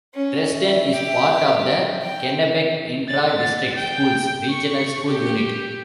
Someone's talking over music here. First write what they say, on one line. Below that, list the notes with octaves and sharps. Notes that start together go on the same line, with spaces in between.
Dresden is part of the Kennebec Intra-District Schools Regional School Unit.
C#4
E5
G4
G5
A6
G5
C#6
G4